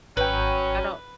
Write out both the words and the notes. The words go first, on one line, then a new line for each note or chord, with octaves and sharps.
I don't
G#1 F#3 C#4 B4 G5